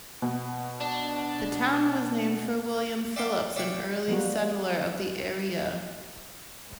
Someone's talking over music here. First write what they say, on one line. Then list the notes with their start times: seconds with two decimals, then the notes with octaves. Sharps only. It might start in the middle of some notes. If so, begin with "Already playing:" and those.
The town was named for William Phillips, an early settler of the area.
0.22 B2
0.80 D4
3.16 D5 E5 F#5 G5 C6 D6
3.56 C#5 D5 E5 F5 G5 C#6
4.08 F3 G3 A#3 B3 F#4